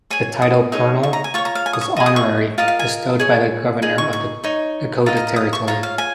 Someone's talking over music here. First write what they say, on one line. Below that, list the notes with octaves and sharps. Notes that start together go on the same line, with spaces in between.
The title "Colonel" was honorary, bestowed by the governor of the Dakota Territory.
G#4 C#5 G#5
D#6
D#4 G#4 C#5
C#6
A#5
G#5
F4 C#5 C#6
A#5
F5
G#5
D#6
C#6
G#4 D#5 C#6
D#6
C#6
F4 A#4 D#5 F5
F5
G#5
G#4 C#5
D#4 G#4
C#6
C#6
D#4 C#5
F4 A#4 D#5 A#5
A#5
A#5
D#6
C#6
F4 C#5 A#5
F5
G#5